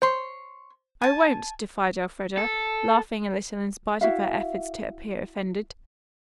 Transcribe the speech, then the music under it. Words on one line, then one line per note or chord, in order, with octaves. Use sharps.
"I won't," defied Elfreda, laughing a little in spite of her efforts to appear offended.
C5 C#5 C6
G#5 A5
A4
E4 F#4 E5 F5